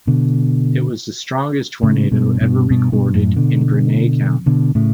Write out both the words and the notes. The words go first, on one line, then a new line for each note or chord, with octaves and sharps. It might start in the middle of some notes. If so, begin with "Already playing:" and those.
It was the strongest tornado ever recorded in Greene County.
B2 D3
A2 C#3
G2 B2
G2 B2
G2 B2
G2 B2
F#2 A2
B2 D3
B2 D3
A2 C#3